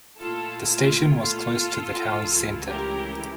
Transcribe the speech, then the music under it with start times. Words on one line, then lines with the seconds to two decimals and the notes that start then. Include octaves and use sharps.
The station was close to the town centre.
0.19 A#2 A3 E4 F4 A4
0.68 F4
1.18 F4 A4
2.18 C#2 C#3 E3 A3 E4
2.67 G4 A#4